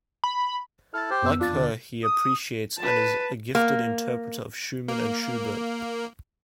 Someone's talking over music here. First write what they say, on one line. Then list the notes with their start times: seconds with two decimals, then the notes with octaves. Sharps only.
Like her, he appreciates and is a gifted interpreter of Schumann and Schubert.
0.24 B5
0.94 E4 A4 F6 A6
1.10 G4 C5
1.22 F#2 B3 E6
1.39 F2 D4 F4 A6
1.54 D#2 D3 A6
2.03 D#6
2.78 B4 A5
3.55 A#3
4.88 A#3